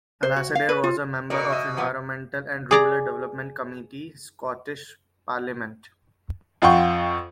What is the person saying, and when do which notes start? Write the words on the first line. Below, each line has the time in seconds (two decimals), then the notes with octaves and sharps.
Alasdair was a member of the Environment and Rural Development Committee Scottish Parliament.
0.23 C5
0.36 F#4
0.55 F5
0.69 B4
0.84 F4
1.30 B2 A#4 C#5 D5
1.50 D#5 E5
1.77 A#2 F3 B3
2.71 G#4 D5 A#5
6.62 F2 F4 F#5 G5 C#6